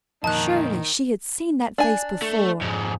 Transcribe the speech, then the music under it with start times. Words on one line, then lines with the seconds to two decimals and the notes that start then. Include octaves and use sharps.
Surely she had seen that face before!
0.24 F2 A#2 D#3 D#4 A5 F#6
1.78 D4 G#5
2.22 A3
2.61 F2 G#2